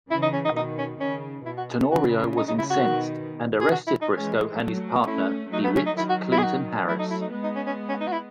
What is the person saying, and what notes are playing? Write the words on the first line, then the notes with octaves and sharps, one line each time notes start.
Tenorio was incensed and arrested Briscoe and his partner DeWitt Clinton Harris.
C#3 E3 E4
D#4
C#4
D#4
B2 D#3 D#4
C#4
C#3 C#4
B2 E4
F#4
A4
C#3 F#4
D#4
D#4
E4
F#4
B2 D#3
G#4
F#4
E4
D#4
E3 G#3 C#4
F#3 A3
A3 C#4 E4
F#3 A3 D#4
B3
C#4
D#4
D#3 F#3 E4
F#4
E4
G#4
F#4
F#3 A3 E4
D#4
E4
D#4
G#3 B3
D#4
C#4
C#4
C#4
D#4
F#4
E4